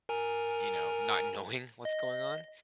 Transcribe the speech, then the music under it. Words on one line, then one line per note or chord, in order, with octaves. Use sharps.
you know, not knowing what's going on
A#4 G#5 A#5
D#5